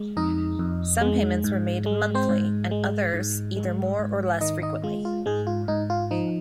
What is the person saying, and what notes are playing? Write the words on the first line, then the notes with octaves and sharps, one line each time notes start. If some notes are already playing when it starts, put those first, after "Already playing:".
Some payments were made monthly, and others either more or less frequently.
Already playing: G#3
F2 D#4 D#5
F2
G#3
G#2
G#3
C4 C5
G#2
G#3
G#2
G#3
G#2
D#3 D#4 D#5
D#4 D#5
G#3 F4
F4
G#2 G#3 G#4
F4
G#2 D#4
F4
F3 D#4